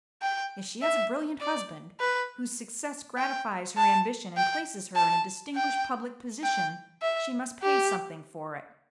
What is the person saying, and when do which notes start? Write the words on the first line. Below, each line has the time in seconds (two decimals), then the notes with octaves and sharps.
If she has a brilliant husband, whose success gratifies her ambition and places her in a distinguished public position, she must pay something for it.
0.22 G5
0.82 E5
1.41 D5
2.00 B4
3.18 G5
3.77 A5
4.37 G5
4.96 A5
5.55 G5
6.44 G5
7.02 E5
7.62 G4